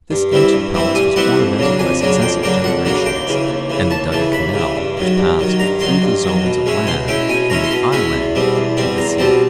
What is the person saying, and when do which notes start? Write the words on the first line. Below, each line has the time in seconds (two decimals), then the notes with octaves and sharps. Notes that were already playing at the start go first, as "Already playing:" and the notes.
This ancient palace was ornamented by successive generations; and they dug a canal which passed through the zones of land from the island to the sea.
0.11 G2
0.32 E3 G3 C4 E4
0.53 G2
0.74 E3 G3 C4 E4
0.95 G2 G#5
1.16 E3 G3 C4 E4 F#5
1.37 F2
1.58 C#3 F#3 A#3 D4
1.79 F2 G#5
2.01 C#3 F#3 A#3 D4
2.22 F2 G5
2.43 C#3 F#3 A#3 D4 G5
2.64 F2 F#5
2.85 C#3 F#3 A#3 D4
3.06 D#2 G5
3.27 C#3 E3
3.48 D#2
3.70 C#3 E3
3.90 D#2 A5
4.12 C#3 E3 A5
4.33 D#2 B5
4.54 C#3
4.59 E3
4.76 G2
4.97 D#3 F#3
5.18 G2
5.39 D#3 F#3
5.60 G2 A#5
5.81 D#3 F#3 C6
6.02 G2
6.23 D#3 F#3
6.44 B2
6.66 G#3 C#4 E4
6.87 B2 C6
7.07 G#3 C#4 E4 G5
7.29 B2 G#5
7.50 G#3 C#4 E4 A#5
7.64 C6
7.71 B2 B5
7.92 G#3 C#4 E4 B5
8.13 E2
8.35 B2 G3 C4
8.55 E2
8.77 B2 G3 C4
8.98 E2 A#5
9.19 B2 G3 C4 A5